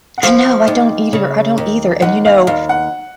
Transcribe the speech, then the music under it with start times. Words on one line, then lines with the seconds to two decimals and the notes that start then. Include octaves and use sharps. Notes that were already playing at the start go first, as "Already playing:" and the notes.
I know, I don't either, I don't either and, you know,
0.18 F#5
0.23 F3 F5
0.68 D#2
1.13 C#3
1.58 D#2
2.02 D#2 F#5
2.25 F5
2.47 D#2 F5
2.69 F#5